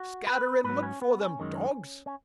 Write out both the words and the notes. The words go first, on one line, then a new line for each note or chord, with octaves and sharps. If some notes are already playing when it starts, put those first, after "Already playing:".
Scatter and look for them, dogs!
Already playing: F#4
B4
G#2 F#3 B4
C#4
B3
C#4
F#2 D#3 G#3
C#4